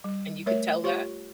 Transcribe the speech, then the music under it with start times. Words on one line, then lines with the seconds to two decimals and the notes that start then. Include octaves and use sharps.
and you could tell that?
0.04 G3
0.46 A3 A#4 C#5 E5
0.84 F4 G4 C#5 C#6